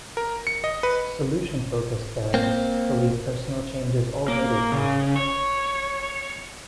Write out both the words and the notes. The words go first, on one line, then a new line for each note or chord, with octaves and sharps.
Solution focused therapists believe personal change is already constant.
A#4
C#7
D#5
B4
A#3 C4
A#3
C#3
C#5